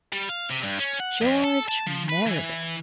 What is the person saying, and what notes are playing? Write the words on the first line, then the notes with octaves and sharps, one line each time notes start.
George Meredith?
G3
F5
C3
G2
C#4
F#5
F2
A4
A5
F3
B4
E3